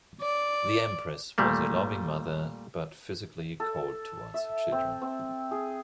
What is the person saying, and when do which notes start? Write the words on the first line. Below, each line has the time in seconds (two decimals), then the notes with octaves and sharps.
The Empress was a loving mother, but physically cold towards her children.
0.21 D5
1.38 A#2 G3 A3 A#3
3.60 A4
4.34 E5
4.72 C4
5.02 C4
5.51 G#4